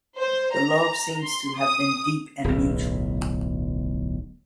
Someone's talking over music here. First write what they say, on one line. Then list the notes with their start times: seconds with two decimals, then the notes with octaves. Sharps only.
The love seems to have been deep and mutual.
0.18 C5
0.53 A#5
1.24 C6
1.59 D#6
2.44 D1 B1